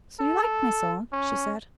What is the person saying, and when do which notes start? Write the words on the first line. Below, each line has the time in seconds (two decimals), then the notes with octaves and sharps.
"So you liked my song?" she said.
0.20 A4
1.13 C#4